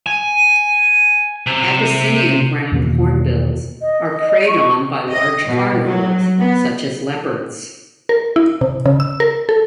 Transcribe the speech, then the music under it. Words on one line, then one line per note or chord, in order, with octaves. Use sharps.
Abyssinian ground hornbills are preyed on by large carnivores, such as leopards.
G#5
C3
E2 B2 D#3 A#3
D#5
C#6
D#5
B2
F#3
B3
A#4
E4
C3
C#3
E6
A#4
A4